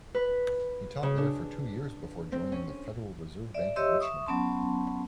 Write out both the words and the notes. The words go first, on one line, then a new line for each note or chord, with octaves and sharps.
He taught there for two years before joining the Federal Reserve Bank of Richmond.
B4
C#3
D4
C4
C#4
D5 E5
G4 C#5 D#5 E5 C6 E6
E5 C#6 D#6
F#3 B3 C#4 A5 C6